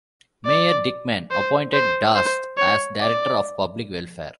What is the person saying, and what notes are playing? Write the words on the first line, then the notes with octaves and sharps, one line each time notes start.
Mayor Dickmann appointed Darst as Director of Public Welfare.
D5
C5
C5
C5
C#5
D5